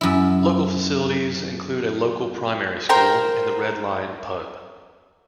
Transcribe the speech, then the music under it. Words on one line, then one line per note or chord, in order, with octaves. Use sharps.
Local facilities include a local primary school and The Red Lion pub.
F#2 E4
A#4 C5 G5 A#5